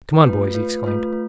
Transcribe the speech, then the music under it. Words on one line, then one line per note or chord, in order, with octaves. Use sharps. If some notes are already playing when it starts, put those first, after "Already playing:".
"Come on, boys!" he exclaimed.
A3 F4 B4
A3 F4 B4
A3 F4 B4
A3